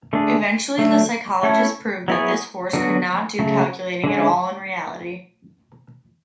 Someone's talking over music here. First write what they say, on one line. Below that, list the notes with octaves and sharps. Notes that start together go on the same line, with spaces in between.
Eventually the psychologists proved that this horse could not do calculating at all in reality.
D3 A3 D4 G#4
D3 F#3 A3
A3 C#4 E4 A4 C#5
F#3 B3 E4 G#4 C#5
D3 F#3 B3 F#4
C#3 F#3 A3
D3 G#3 C#4